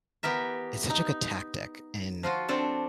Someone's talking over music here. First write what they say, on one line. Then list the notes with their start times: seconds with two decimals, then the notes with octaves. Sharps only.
it's such a good tactic in
0.23 E3 B3 G4 A#4 E5
0.90 D#4
2.23 F3 F4 F#4
2.48 C4 D4 A4